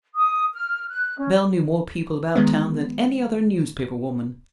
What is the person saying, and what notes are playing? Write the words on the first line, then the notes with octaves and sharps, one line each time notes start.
Belle knew more people about town than any other newspaper woman.
D#6
F6
F#6
C#4
D#3 G#3 B3